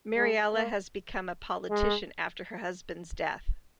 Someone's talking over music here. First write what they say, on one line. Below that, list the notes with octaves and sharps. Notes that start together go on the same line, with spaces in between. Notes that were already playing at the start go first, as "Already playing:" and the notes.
Mariella has become a politician after her husband's death.
G#3
A#3
G#3